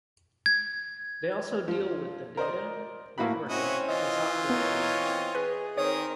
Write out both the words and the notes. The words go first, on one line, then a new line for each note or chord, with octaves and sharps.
They also deal with the data, networking and software tools.
G#6
F3
A#4 C5 D5 D#5
A2 A#3 E4 F#4 B5
C4 C#4 E4 F#4 D#5
E3 F4 D#5
B3 A#4 C#5 D#5
C4
G#4 B4
D#3 C4 A#4 C#5 D#6